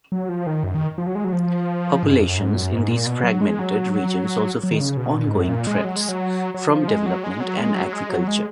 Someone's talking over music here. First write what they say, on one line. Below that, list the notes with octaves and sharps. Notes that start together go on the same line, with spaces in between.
Populations in these fragmented regions also face ongoing threats from development and agriculture.
F#3
F3
D#3
F#2
D#3
F3
F#3
G#3
F#3
F3
G#2
F#2
F2
F#2
G#2
F#2
G#2
A#2
B2
F#3
G#3
F#3
F#3
D#3
C#3
B2
A#2
G#2
F#2
A#2
G#3
F#3
G#3
F#3
F#3
F3
G#3
F#3
G#3
F#3
G#3
F#3
G#3
F#3
G#3